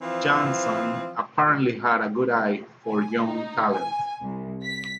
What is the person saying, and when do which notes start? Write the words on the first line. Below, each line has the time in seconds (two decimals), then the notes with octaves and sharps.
Johnson apparently had a good eye for young talent.
0.02 E3 F3 C4
2.87 G#5
3.22 D#4
3.73 G#5
4.22 C2
4.64 B6